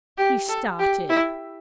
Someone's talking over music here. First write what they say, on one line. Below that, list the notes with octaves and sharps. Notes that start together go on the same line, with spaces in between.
He started.
G4
A4
G4
E4